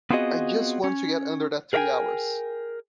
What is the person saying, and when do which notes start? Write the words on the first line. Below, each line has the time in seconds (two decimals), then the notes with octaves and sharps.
I just want to get under that three hours.
0.10 B3 C4 F4 F#4 G#4 D#5
0.84 C#4
1.73 G#4 A#4 D5 E5 G5 G#5